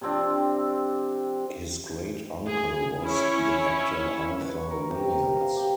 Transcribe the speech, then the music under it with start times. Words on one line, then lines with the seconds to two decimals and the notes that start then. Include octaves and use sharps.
His great-uncle was the actor Arthur Williams.
0.01 C3 F3 C4 D4
2.49 G#4
3.03 C#4 E4 C#5
4.40 B4
4.57 C#6
4.70 A#4
4.91 C3
5.11 A#5
5.25 A#4
5.41 F5
5.56 G4